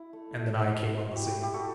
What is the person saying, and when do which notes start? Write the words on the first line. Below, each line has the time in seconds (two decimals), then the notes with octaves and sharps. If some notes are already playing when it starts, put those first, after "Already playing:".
And then I came on the scene.
Already playing: E4
0.13 A3
0.39 A3
0.64 E4
0.90 E4
1.11 E4 F#4 G4
1.41 E4 G4
1.54 F#4 A4